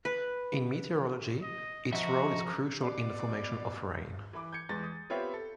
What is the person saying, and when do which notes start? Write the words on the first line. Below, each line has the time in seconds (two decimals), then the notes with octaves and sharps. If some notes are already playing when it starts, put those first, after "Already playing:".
In meteorology, its role is crucial in the formation of rain.
0.05 B4
1.42 D#5
1.93 F3 F#4 D#5 E5 A#5
2.83 B2 D5
4.33 E3 B4 B5 D6
4.53 G6 G#6 C#7
4.69 E2 G#3 A6
4.83 D#6
5.10 B3 C4 F4 G4 C#5 E5
5.34 A4